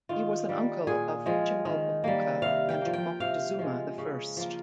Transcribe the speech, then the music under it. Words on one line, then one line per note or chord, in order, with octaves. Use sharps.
He was an uncle of Chimalpopoca and Moctezuma the First.
D#3 F4
G3 A#3
A#2 G#4
F3 G#3
D#3
G3 A#3
C3 F5
G5
F3 A#3
G5
C3 F5
F3 G#3
C#3
F3 A#3